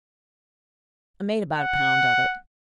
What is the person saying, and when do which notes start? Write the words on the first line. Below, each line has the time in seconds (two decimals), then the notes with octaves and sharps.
I made about a pound of it.
1.57 F#5